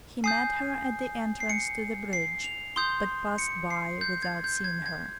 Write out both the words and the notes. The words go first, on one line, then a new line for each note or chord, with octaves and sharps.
He met her at the entrance to the bridge, but passed by without seeing her.
G#5 D#6 G6 C7
C7
C#7
C7
F7
C6 D#6 G6 G7
C#7
C7
G6
G#6
G6
G#6
G#6